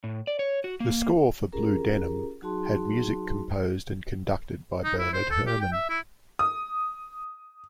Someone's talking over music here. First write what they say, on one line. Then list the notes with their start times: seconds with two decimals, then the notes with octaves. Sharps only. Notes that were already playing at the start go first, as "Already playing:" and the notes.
The score for "Blue Denim" had music composed and conducted by Bernard Herrmann.
0.04 A2
0.27 D5
0.39 C#5
0.64 F#4
0.80 A#3
1.52 C#4 F4 G4 G#4 A#4 A#5
2.42 F#3 D#4 F#4 G#4 A5 C6
4.84 D#4
4.99 E4
5.13 C5
5.31 A4
5.47 G4
5.60 G5
5.72 E5
5.89 E4
6.39 D#6